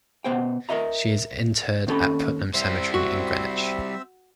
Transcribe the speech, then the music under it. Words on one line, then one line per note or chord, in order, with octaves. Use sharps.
She is interred at Putnam Cemetery in Greenwich.
B2 B3 C5 F#5 G5
A#4 B4 D#5 E5 A#5
D#2 C4 C#4 A4 B5
G3 C4 C5 E5
F#4